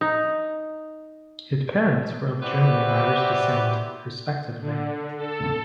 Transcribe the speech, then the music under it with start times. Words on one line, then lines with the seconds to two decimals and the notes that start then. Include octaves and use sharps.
His parents were of German and Irish descent, respectively.
0.01 D#4
2.42 E4 F#4 G4 B4 C5 D5
4.61 D3
5.17 A4